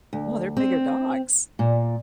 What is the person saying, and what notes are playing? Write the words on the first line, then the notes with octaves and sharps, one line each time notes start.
Wow, they're bigger dogs.
D2
C4
A#2